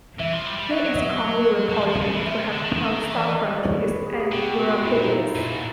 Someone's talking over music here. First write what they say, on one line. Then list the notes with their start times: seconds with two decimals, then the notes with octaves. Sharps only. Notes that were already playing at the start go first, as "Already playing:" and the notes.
He is commonly reported to have taught Socrates and Euripides.
0.20 E3 E5
0.33 F3
0.46 G3
0.58 G3
0.71 F#3 E5
0.88 D#5
0.97 E5
1.05 D#5
1.22 D#5
1.70 F#3
1.74 F3
1.87 F3
2.00 C#3
2.13 E3
2.26 F3 E5
2.39 D#3
2.52 D3
2.64 D#3
2.77 D#3
3.03 E3
3.16 D5
3.29 D#5
3.45 D#5
3.58 D5
3.64 C#5
3.80 B4
4.06 G#4
4.20 G#4
4.32 B2 G4
4.49 G4
4.66 F#4
4.84 A#2 E4
4.96 D#4
5.09 E4
5.23 F4
5.35 A#2 E4
5.53 B2